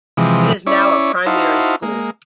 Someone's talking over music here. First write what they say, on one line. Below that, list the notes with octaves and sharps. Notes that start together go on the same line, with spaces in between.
It is now a primary school.
C3 E3 F3 G#3
C#4 E4 C#5 D5
D#4 E4 F#4 C5 F5 A5
G#3 A#3